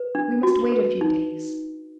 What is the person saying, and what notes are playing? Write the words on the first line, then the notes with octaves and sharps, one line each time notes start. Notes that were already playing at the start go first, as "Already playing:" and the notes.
We must wait a few days.
Already playing: B4
D4
F#4
B4
D#4